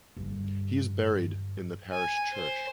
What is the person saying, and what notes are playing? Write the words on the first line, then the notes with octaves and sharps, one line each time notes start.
He is buried in the parish church.
G2 D3
G#5
C5